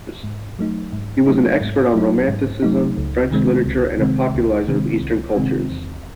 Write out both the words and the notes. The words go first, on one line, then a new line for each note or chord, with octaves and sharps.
He was an expert on Romanticism, French literature and a popularizer of Eastern cultures.
G#2
F#3 A3 D#4
G#2
F#3 A3 D#4
G#2
F#3 A3 D#4
G#2
F#3 A3 D#4
C#2
C3 D#3 G#3 C4
C#2
C3 D#3 G#3 C4
C#2
C3 D#3 G#3 C4
C#2
C3 D#3 G#3 C4
E2